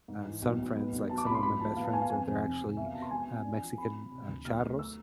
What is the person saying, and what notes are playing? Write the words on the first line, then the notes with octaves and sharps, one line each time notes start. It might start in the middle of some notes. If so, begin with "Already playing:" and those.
uh, some friends, like, some of my best friends are they're actually, uh, Mexican, uh, charros,
G#2
E3
B1
B1
B3
B1
B2 A5
D6
C2 B5
C6
A2 B5
F3 A5
B3 F5
A5
B3 G#5
F5
F2 G#5
F1
C3
C2
E2 E5
F5
B2 A5
C6
G#3 G#5
C4
D4
F3
C4 B5
C4
C3
D2
B1 F6
A3
E6